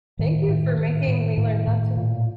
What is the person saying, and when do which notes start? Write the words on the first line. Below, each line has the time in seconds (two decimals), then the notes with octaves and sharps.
Thank you for making me learn that's a
0.19 A2 D#3
0.48 A2
0.79 A2
1.08 A2
1.37 A2
1.67 A2
1.97 A#2